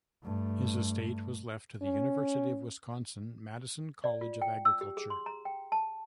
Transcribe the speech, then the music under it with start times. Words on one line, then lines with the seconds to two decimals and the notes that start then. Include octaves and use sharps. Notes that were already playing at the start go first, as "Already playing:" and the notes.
His estate was left to the University of Wisconsin-Madison College of Agriculture.
0.24 G2 A3
1.82 C#4
4.04 D5
4.21 F4
4.42 G5
4.65 E6
4.81 G4
4.97 G#4
5.10 C6
5.26 A#5
5.45 G5
5.72 A5